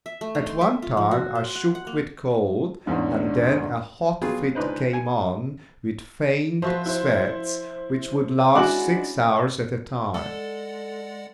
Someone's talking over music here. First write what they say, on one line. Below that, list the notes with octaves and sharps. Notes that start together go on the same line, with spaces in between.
At one time I shook with cold, and then a hot fit came on, with faint sweats, which would last six hours at a time.
E5
A3
D#4
C6
E5
F4
F3
F#4
C5
F#5
F#5
A#3
A1 E2 G#2 D4
F#3 B3 F4 G4 G#4
C#2 D4 D#4 B4 C5
G#5
F3 F#4 B4 C5 E5
E4 C5
G#3 C#4 D4 E4 F#4 F#5 D6 F#7
G#3 A4 D5 F#5